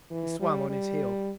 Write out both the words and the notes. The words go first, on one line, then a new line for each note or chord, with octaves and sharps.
He swung on his heel.
E3
G3
G3